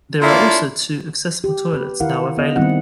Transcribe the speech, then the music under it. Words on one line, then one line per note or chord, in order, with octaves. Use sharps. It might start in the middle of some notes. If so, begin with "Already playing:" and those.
There are also two accessible toilets now available.
A#3 D4 E4 F4 C#5 D5
G4
B4
D#3 E4 A#4 F5 F#5
B3 D#5
D#3 G3 B3 C4 E4 F#5